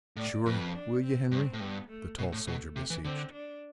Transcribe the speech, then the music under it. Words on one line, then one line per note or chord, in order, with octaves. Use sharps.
"Sure--will yeh, Henry?" the tall soldier beseeched.
A2 D5
F2 B4
D4
C4
G2 C4
A2
G2 B3
A3
B2 A3
A2
B2
C3
E3
D3 C4
D4